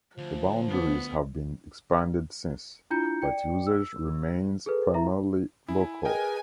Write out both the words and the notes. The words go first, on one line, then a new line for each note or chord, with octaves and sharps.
The boundaries have been expanded since, but usage remains primarily local.
D2 F3
B3
D4 E4 F4 A#5 G6 C#7
D5 G5 C#7
E6
G#4 A4 B4
E4 E5 A#5
E4 G#5
G#4 A#4 B4 D#5 G5 G#5